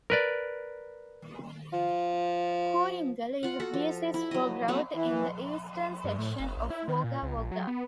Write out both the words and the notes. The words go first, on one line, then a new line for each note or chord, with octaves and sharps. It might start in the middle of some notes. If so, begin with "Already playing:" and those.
Kooringal is the basis for growth in the eastern section of Wagga Wagga.
A#4 B4 D5
F3 F4
F4 F#5
F#4 A4
F3
E4
F#3 D#5
F#3 A3 B3 C4
E3
G2
A2
F#1
A#1
E4
D#3
A#2
C#2
A#1
F#3
B3